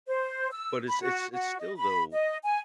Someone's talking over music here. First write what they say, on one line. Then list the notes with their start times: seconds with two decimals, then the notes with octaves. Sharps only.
But it's it's it's still though,
0.07 C5
0.52 E6
0.88 B5
1.02 F#4
1.33 F#4
1.60 D#5
1.76 B5
2.13 D#5
2.44 G#5